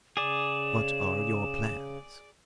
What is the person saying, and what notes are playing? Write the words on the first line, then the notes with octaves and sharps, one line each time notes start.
What are your plans?
C#3 G#4 D5 E7